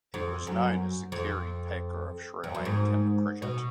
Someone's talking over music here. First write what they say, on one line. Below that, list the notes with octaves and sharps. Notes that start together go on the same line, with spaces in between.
He was known as the "Kerry Packer of Sri Lankan cricket".
F2
F#2
F2
F2
F#2
G#2
B2